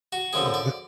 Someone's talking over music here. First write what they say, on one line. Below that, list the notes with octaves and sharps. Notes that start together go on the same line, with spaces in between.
Oh, th
F#4
F#2 D3 F3 G#4
D5